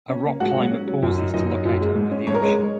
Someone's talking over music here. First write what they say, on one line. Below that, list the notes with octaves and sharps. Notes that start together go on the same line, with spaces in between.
A rock climber pauses to look out over the ocean.
C#4
A#3
G#2 F#4 F#5
F#3
C#4
F#3
F#2
D#4
F#2 D#4 D#5
F#3
F#2
G#3
G#2
C#4
G#2 C#5
A#4
G#3 C#5